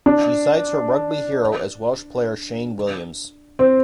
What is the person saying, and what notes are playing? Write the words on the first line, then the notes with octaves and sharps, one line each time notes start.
She cites her rugby hero as Welsh player Shane Williams.
D4
C4